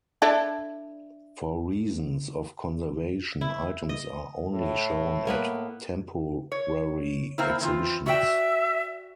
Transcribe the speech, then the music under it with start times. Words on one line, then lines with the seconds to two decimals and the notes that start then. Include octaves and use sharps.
For reasons of conservation items are only shown at temporary exhibitions.
0.22 D4 E4 A4
3.41 E4
3.89 D#5
4.51 A2
5.27 A#3 B3 B4
6.52 C#5
7.38 A#3 C4 E4
7.61 E3 C4 F4
8.06 F#4 D5 E5 G5